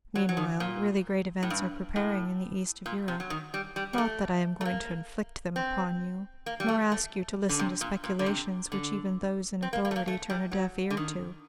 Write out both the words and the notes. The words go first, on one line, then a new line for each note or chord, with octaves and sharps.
Meanwhile really great events are preparing in the East of Europe,--not that I am going to inflict them upon you, nor ask you to listen to speculations which even those in authority turn a deaf ear to.
F#3
F#3
D#3
A#2
A2
G2
A2
A#2
C3
F#3
D#3
G3
G3
G3
A3
A3
A#3
C4
A#3
G3
A3
A3
D3
C3
A#2
A#2
D3
C3
D3
C4
A#3
A#3
A3
A#3
A3
G3
F#3
D3
D#3